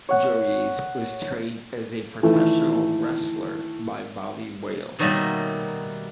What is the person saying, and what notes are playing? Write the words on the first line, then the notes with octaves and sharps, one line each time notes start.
Droese was trained as a professional wrestler by Bobby Wales.
C#5 F#5
D#3 E3 A3 F4 A4
B2 D#3 F#3 G3 A3 A#3